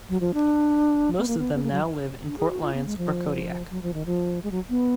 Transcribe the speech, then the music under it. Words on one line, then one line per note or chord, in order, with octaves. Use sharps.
Most of them now live in Port Lions or Kodiak.
F#3
F3
D4
B3
A#3
B3
B3
A#3
F#3
D4
G#4
F#4
F4
B3
G#3
F3
F#3
F3
D#3
F3
G#3
F#3
B3